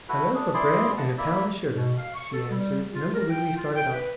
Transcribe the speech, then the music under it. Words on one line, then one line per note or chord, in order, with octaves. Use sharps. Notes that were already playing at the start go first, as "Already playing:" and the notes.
"A loaf of bread and a pound of sugar," she answered, and Uncle Wiggily started off.
E4 F#4 A4 B4
D4 G#4
E4 G#4 D5 C6
D#5 F#5 A5
A#3 E4 D5 E5
B2
F5
C#6
A4
G3
F4
A#4
G5
F4
G5
B4